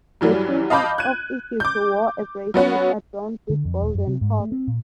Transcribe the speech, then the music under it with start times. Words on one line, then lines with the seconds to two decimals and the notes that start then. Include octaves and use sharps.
The queen of Egypt wore a bracelet adorned with golden hawks.
0.21 G2 E3 F#3 G3
0.70 D#5 F5 A5 B5 D6 G6
0.98 F#6 G#6 D#7
1.60 D6 G6
2.54 F#3 B3 C#4 F#4
3.50 D3
3.65 F2
3.82 D#1
3.95 F#2
4.07 C3
4.21 G#2
4.40 A3
4.52 C4
4.67 A#2